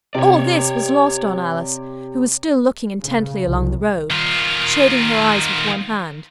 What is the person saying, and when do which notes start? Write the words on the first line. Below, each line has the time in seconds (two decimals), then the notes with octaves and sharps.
All this was lost on Alice, who was still looking intently along the road, shading her eyes with one hand.
0.15 C3 C#5 D5
3.05 C#3
3.44 C2
4.11 D#3 F4